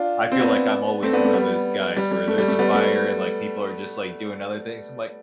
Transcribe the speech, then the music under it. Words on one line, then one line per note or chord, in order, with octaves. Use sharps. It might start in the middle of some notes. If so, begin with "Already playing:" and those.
I feel like I'm always one of those guys where, there's a fire and, like, people are just, like, doing other things. I'm like,
Already playing: D4 F4
C4
B3 D4
A3 C4
B3 D4
A3
G3 B3
G3
G3
A3
G3
A3
G3 B3
A3